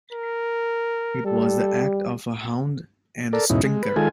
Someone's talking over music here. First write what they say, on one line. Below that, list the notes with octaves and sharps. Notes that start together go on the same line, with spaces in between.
It was the act of a hound and a stinker.
A#4
G3 A4
A4 A#4 D5
E2 G#2 B2 C#4 D#4 E4
G#3
B4
D#3 G#3 F4 A4 G#5